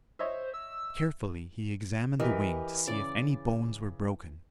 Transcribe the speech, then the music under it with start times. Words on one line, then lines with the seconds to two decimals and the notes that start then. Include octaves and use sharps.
Carefully he examined the wing to see if any bones were broken.
0.19 C5 C#5 D#5 E5
0.54 E6
2.20 E3 G4 A#4 D#5
2.88 C#3 D5